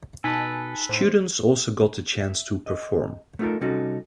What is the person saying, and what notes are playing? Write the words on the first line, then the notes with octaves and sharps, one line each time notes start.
Students also got the chance to perform.
B2 D#4 A4 B4 G#5 A5
A2 C5
E5
D#5
A3 B3 D#4 F4 A4 A#4
C3 G3 C#4 D#4 F#4 A4